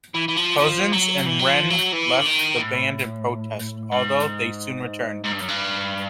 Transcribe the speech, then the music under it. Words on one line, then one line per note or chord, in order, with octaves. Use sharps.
Couzens and Wren left the band in protest, although they soon returned.
E3
E3
F3
F3
F#3
E3
F#3
F3
F#3
E3
D3
D#3
A2
G#2
G#2
G2
F#2
G2